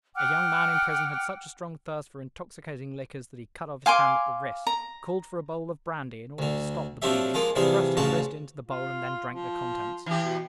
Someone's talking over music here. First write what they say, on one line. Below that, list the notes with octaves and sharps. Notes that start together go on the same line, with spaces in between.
A young man in prison had such a strong thirst for intoxicating liquors, that he cut off his hand at the wrist, called for a bowl of brandy in order to stop the bleeding, thrust his wrist into the bowl, and then drank the contents.
F#5 G5 D6 F6
F5 G#5 C6 D6
A#5
D2 D3
F3 F#3 C4 D4 G4 E5
F3 G#3 A#3 F4
C3 E3 F3 G3 G#4
A1 C#3 F3 F#4 A5
F4
F3
E3 G4
B2